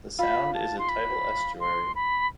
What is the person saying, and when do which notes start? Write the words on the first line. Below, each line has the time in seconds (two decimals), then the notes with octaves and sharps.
The sound is a tidal estuary.
0.19 F4 B5
0.55 A5
0.79 C6
0.89 B5
1.60 C6
1.95 B5